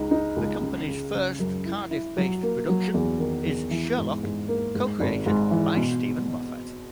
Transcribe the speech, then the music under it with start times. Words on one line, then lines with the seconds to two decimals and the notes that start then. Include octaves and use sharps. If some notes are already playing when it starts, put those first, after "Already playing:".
The company's first Cardiff-based production is "Sherlock", co-created by Steven Moffat.
Already playing: C#2 D#4
0.11 D#4
0.36 C#2
0.63 C#3
0.88 C#3
1.14 C#3
1.39 F#2
1.65 E4
1.91 E4
2.17 F#3
2.43 A#3
2.69 F#3
2.94 E2
3.19 D#3
3.45 E2
3.71 E3
3.97 G#2
4.23 G#2
4.48 A#3
4.75 G#2
5.00 G#1
5.26 G#2
5.51 E3
5.77 B2